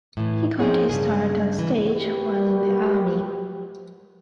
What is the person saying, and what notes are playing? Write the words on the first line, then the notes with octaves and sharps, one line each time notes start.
He got his start on stage while in the Army.
A2 E3
F3 C4 D#4 G#4 C#5
G2 C#3 G#4
E3
A#3 F#4 G4 B4